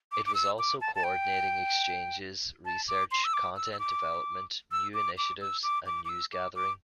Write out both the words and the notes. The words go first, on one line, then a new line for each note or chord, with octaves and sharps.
It was also coordinating exchanges, research, content development, new initiatives and news gathering.
D6
D6
E6
D6
A5
A5
G5
A5
D6
C6
E6
D6
E6
E6
D6
E6
D6
D6
E6
D6
D6
D6
E6
D6
D6